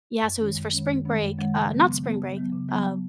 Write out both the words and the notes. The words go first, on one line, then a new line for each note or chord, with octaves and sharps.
Yeah, so it was for spring break uh, not spring break, uh,
F#2
D#3 G#3 C#4
F#2
D#3 G#3 C#4
F#2
D#3 G#3 C#4
F#2
D#3 G#3 C#4
C#3
F#3 B3
C#3
F#3 B3
C#3
F#3 B3
C#3
F#3 B3